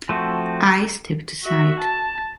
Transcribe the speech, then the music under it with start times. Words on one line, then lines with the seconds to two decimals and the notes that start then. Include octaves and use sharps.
I stepped aside.
0.09 F3 A3 C4 F#4
1.44 F#4 E5
1.80 A5